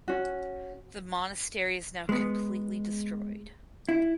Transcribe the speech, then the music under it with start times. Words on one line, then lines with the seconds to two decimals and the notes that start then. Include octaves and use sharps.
The monastery is now completely destroyed.
0.08 C#4 F#4
2.09 G#3 B3
3.89 E4